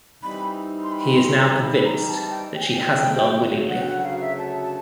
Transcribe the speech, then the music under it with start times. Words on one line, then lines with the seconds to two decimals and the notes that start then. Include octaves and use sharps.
He is now convinced that she hasn't gone willingly.
0.23 E3 G3 C4 D#4 B5
0.83 C6
0.92 B5
1.08 B5
1.15 C6
1.39 A#5
1.62 B5
1.85 A#5
2.08 A5
2.31 G5
2.61 G#5
2.65 G5
3.00 D2 C#3 F#3 A3
3.69 F#5
3.81 G5
3.86 F#5
4.04 F5
4.21 E5
4.39 A5
4.62 A5